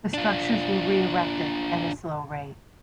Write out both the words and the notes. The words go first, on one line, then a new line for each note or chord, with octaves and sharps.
The structures were re-erected at a slow rate.
D4 F4